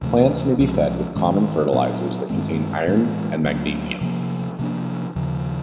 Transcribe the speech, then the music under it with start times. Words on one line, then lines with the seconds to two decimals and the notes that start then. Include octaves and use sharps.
Plants may be fed with common fertilizers that contain iron and magnesium.
0.02 D2 C3 E3 A3
0.58 C2 C3 F3 G#3
1.15 G#2 D#3 G#3 C#4
1.72 A#2 F#3 B3 D4
2.30 G2 D#3 G#3 C4
2.87 A2 E3 G#3 B3
3.44 D2 D3 F#3 A#3
4.01 C3 F3 A#3
4.59 C3 F3 A#3 D4
5.16 D#2 C#3 F3